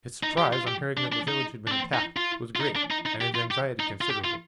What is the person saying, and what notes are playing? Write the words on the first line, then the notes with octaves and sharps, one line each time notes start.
His surprise on hearing that the village had been attacked was great and his anxiety considerable.
D#4
G4
F4
G4
D4
D4
D#4
D4
C4
D#4
F4
F4
D#4
D4
D#4
D#4
G4
F4
G4
D#4
F4
G4
F4